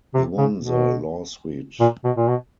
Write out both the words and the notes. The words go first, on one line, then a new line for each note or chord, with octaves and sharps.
He won the lawsuit.
C3
C#3
B2
A#2
B2
A#2
B2